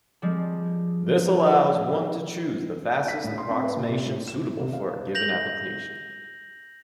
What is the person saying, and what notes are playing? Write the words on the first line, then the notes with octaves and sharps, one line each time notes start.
This allows one to choose the fastest approximation suitable for a given application.
F3 G3 G#3 C4
B6
A2
C6
C4
B4
A#2
C3
A2
E7
C3
F5
G6 A#6 F7 F#7